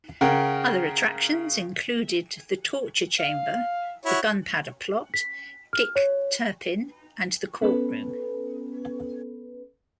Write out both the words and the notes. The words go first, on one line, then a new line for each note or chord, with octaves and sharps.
Other attractions included the Torture Chamber, The Gunpowder Plot, Dick Turpin, and the Courtroom.
C#3 A#4 F#5 G5
F5
E4 F#4 C#5
B6
F6
C#5
B3 C#4 A4 B4